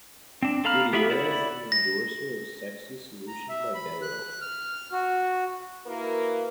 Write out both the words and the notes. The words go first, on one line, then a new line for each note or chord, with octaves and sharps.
Gutierrez is an endorser of Sexy Solution by Belo.
C4 D4
A4 F5 A#5 B5 F6
B3 G4 G#4 E5 B5
E4 D5 F#5 B5
A#6
A#5
E5
B5
F#6
F6
F#4
A#3 E4 F#4 A#4 B4